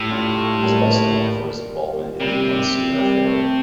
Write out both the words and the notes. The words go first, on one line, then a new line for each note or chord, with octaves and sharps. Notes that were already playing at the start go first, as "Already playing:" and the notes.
He is best known for his involvement in the Munsinger Affair.
Already playing: A2 G4
D4 F4
A3
G3 A#3
C3 G3 A#3
G3 A#3
A3